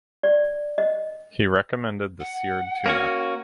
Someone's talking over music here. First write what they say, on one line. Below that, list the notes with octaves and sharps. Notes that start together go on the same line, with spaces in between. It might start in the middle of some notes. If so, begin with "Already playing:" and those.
He recommended the seared tuna.
D5
D#5
F#5
A#3 C#4 F#4